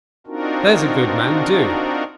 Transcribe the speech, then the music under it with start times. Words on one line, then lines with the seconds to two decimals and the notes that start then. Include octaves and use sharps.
'There's a good man, do.'
0.27 C4 D4 D#4 F4 F#4 A#4